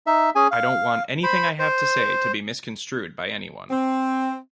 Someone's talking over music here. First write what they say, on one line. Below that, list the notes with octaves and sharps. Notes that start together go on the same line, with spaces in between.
I don't want anything I have to say to be misconstrued by anyone.
D#4 E5
C#4 G#4 G#5
F5
C5 B5
C5
C4